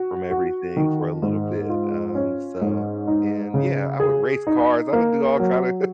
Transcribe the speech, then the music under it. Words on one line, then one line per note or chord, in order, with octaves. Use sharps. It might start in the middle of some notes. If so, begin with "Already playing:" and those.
from everything for a little bit, um, so and, yeah, I would race cars. I would do all kind of
Already playing: F#4
F#4
D#3
G#2
F4
C#4
G#2
D#4
C#3
G#4
D#4
A#3
F#3